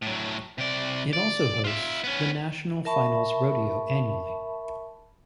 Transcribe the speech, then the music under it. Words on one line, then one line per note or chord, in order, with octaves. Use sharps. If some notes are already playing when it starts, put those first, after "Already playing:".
It also hosts the National Finals Rodeo annually.
A2 F#3
C3 D5
D5
F4 E5
B3 C#4
A#4 E5 A5 B5 C#6